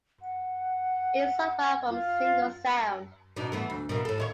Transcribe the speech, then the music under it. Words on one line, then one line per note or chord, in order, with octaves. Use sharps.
It's so far from a singles sound.
F#5
F4
B2 D4 D#4
E3 A3 B3
D2
B2 E3 A#3
A2 A4
D#2 E4 C#5